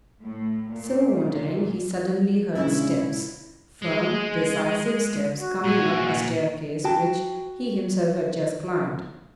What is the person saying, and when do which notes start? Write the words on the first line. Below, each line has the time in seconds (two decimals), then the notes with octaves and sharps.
So wandering, he suddenly heard steps, firm, decisive steps coming up a staircase which he himself had just climbed.
0.24 A2
0.71 A#2
1.29 A#2
2.55 A#2 C#3 G#3 C#4 D4 E4
3.82 G#3
5.34 F#4
5.65 A#2 G#5
6.84 F#4 G5 A5